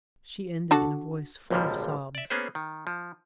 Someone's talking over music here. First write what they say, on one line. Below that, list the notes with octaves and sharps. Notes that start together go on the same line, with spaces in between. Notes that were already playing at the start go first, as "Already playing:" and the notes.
She ended in a voice full of sobs.
D4 F#4 A4
G#1 C#2 A#2 D3 F3 G3
D5 E5
A#3 B3 C#4 G#4 C5
D#3
F3